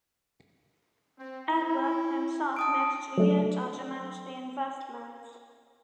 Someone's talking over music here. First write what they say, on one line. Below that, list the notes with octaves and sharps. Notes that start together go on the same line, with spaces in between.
Edward himself moved to Utah to manage the investments.
C4
E4
A5 D#6 D7
F#3 A3 D4